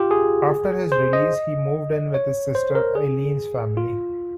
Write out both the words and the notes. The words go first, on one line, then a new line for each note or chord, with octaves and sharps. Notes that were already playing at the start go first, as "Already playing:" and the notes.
After his release, he moved in with his sister Eileen's family.
Already playing: F4 G4
G#4
C5
D#5
C#5
C5
A#4
G#4
F4